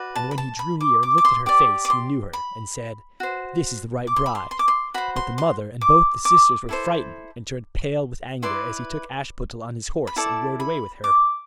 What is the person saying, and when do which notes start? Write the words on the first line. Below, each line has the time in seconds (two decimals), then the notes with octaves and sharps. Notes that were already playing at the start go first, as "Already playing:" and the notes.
And when he drew near and looked at her face he knew her, and said, 'This is the right bride.' But the mother and both the sisters were frightened, and turned pale with anger as he took Ashputtel on his horse, and rode away with her.
Already playing: F#4 B4 D5
0.15 A5
0.31 B5
0.38 A5
0.59 B5
0.80 D6
1.03 D6
1.18 D6
1.25 C6
1.46 G4 D5 D6
1.85 D6
1.90 C6
2.33 B5
3.20 F#4 C5
4.07 D6
4.16 C6
4.26 B5
4.35 C6
4.51 C6
4.59 D6
4.68 C6
4.94 F#4 C5 B5
5.16 C6
5.38 C6
5.81 D6
6.25 D6
6.69 E4 A4 C5
8.42 E4 B4 D5 C6
10.07 B5
10.16 E4 A4 D5 A5
10.60 B5
11.04 D6